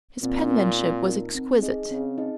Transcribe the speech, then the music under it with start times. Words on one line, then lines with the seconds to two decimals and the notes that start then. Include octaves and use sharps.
His penmanship was exquisite.
0.22 A#2 C4
0.51 D#4 A#4
0.78 C4
1.06 D#4 A#4
1.35 C4
1.62 D#4 G#4 D#5
1.90 C#3 C4
2.18 D#4 G#4 D#5